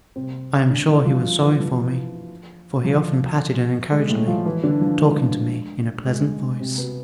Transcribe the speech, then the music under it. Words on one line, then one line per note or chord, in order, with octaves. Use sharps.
I am sure he was sorry for me, for he often patted and encouraged me, talking to me in a pleasant voice.
C3 C4
D3 D4
E3 E4
F3 F4
F3 F4
E3 E4
F3
F3
G#3
A2 A3
F3 F4
E3 E4
D3 D4
F3
G#3
G#3
C3 C4
B2 B3